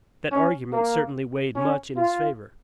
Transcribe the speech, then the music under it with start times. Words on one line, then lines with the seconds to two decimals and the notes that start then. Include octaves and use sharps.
That argument certainly weighed much in his favor.
0.31 C#4
0.73 A#3
1.56 C#4
1.96 F4